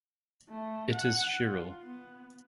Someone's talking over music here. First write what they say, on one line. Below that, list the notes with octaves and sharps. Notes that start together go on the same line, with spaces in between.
It is chiral.
A3
F#5
F4
B3